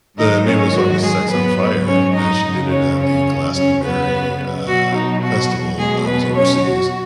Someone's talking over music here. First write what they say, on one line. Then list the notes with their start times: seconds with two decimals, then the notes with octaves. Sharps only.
the name of the song was Sex on Fire, and she did it at the Glastonbury, uh, Festival, b I was overseas.
0.18 G#2 D#3 F#3 D#4 D#5
0.47 C#4 C#5
0.75 F#4
1.02 G#3 G#4
1.31 G#2 F#3 B3 B4
1.87 C#4 C#5
2.15 D#4 D#5
2.43 F#2 C#3 F#3
2.71 C#4 C#5
2.99 C#4 C#5
3.55 F#2 C#3 F#3 C#4 C#5
3.83 B3 B4
4.67 B2 F#3 F#4
4.95 D#4
5.23 F#4
5.79 B2 F#3 G#3 G#4
6.07 B3 B4
6.36 C#4 C#5
6.63 F#4